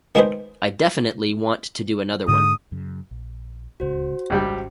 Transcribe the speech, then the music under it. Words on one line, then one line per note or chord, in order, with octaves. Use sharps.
I definitely want to do another one.
D#3 G#3 D4 G#4 B4 C5
G#2 D3 D#6
F#2 C#3
A#1
D1 C#2 C#3 F#4 C5
G#1 C#2 G3 C#4 G4